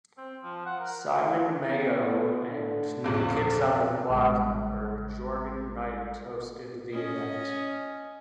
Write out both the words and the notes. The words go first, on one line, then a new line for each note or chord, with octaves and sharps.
Simon Mayo and New Kids on the Block member Jordan Knight hosted the event.
C4
F3
F#5
A#4
B3
D3
A#1 E2 A#2 F3
A1 C#3 G3 G#3
C#4 D#5